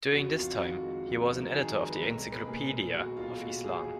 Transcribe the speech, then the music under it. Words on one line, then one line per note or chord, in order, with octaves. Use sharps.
During this time he was an editor of the Encyclopaedia of Islam.
F2 F#4
F2 F4
D#3 F#4
G#3
F2
F2
A#4
D#3 G#4
G#3 A#4
B4
B1 A#4
B1
B4
A#4
A#2 G#4
G#3
B1 F#4
B1 F4
A#2 F#4
G#3 G#4